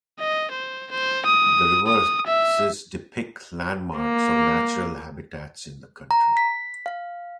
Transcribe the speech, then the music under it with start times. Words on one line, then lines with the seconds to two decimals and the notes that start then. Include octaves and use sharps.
The reverses depict landmarks or natural habitats in the country.
0.20 D#5
0.51 C5
0.91 C5
1.26 D#6
1.87 D#6
2.27 E5
3.96 A#3
6.11 A#5
6.37 B6
6.86 F5